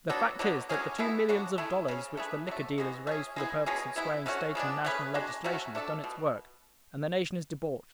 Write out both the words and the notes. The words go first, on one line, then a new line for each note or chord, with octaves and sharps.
The fact is that the two millions of dollars which the liquor dealers raised for the purpose of swaying State and national legislation has done its work, and the nation is debauched.
F#3 B3 D4 A4
D3 F#3 B3
D3 F#3 C#4 G#4
B2 G#3 B3 E4
C#3 G#3 D4 F#4
A3 E4 G#4
C#3 G#3 C#4
A3 D4 G#4 B4
D3 F#3 A3
E3 G#3 B3 F#4
A3 C#4 G#4
G#3 B3 E4 G#4
B2 G#3 C#4 G#4
G#3 B3 E4
D3 A3 C#4 F#4
C#3 G#3 B3 D4
A3 C#4 G#4 B4
G#3 D4 F#4
F#3 A3 C#4 F#4
A3 D4 A4
B2